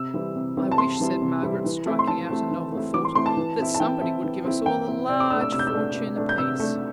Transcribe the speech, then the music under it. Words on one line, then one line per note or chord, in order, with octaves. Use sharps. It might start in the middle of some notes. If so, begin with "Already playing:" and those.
"I wish," said Margaret, striking out a novel thought, "that somebody would give us all a large fortune apiece!"
Already playing: C3 E6
E3 G3 C4 E4
C3
E3 G3 C4 E4
A5
C3 C6
E3 G3 C4 E4
C3
E3 G3 C4 E4
E3
A3 C4 E4
C6
E3 A5
A3 C4 E4
E3
A3 C4 E4
E3 D6
C6
A3 C4 E4 C6
A5
E3
C4 E4
A5
E3 G5
C4 E4
E3
C4 E4
E3 G5
C4 E4
C3 D5
D6
A3 D4 E6
E6
C3 E6
G6
E6
A3 D4
C3
A3 D4
G6
C3 E6
A3 D4